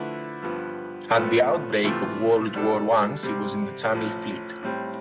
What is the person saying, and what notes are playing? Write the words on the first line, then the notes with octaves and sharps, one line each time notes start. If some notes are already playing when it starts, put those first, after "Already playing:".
At the outbreak of World War One she was in the Channel Fleet.
Already playing: D3 F3 A3 E4 B4
G2 F3 B3
A2 F3 B3 F4 A4
C3 E3 A3 C4 F4
B2 G3 D4 A4
C3 G3 C4
A1 A2 F3
A2 G3 C4